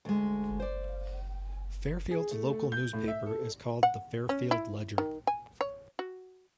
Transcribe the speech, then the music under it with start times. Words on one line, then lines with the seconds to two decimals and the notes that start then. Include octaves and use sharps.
Fairfield's local newspaper is called the Fairfield Ledger.
0.05 D2 G#3
0.60 C5 D5
2.11 G#4
2.31 A3
2.53 A3
2.72 G6
2.93 A2
3.08 E5
3.26 A4
3.83 F#5
4.29 C#4
4.51 E4
4.98 D#3
5.27 G#5
5.61 C#5
5.99 F#4